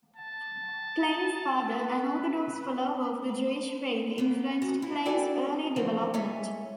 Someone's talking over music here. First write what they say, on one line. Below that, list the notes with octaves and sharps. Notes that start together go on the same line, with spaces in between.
Klein's father, an Orthodox follower of the Jewish faith, influenced Klein's early development.
A5
B4
A#3 B3
F#4
E4
F#4 A4 B4 D5 G5 G#5
D3 E3 F3 A#3 C4
G#3 A4 C#5 E5 G#5